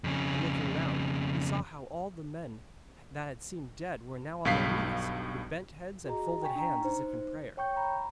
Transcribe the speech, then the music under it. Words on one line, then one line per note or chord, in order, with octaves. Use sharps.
And looking round, he saw how all the men that had seemed dead were now on their knees, with bent heads and folded hands as if in prayer.
F2 C#3
B1 G2 F5 B6 C7
F#4 G#4 D#5 A#5
G5 G#5 C#6 B6
D4 A#5
D#4 C5
C#5 G5 C#6 G6
A#5 B5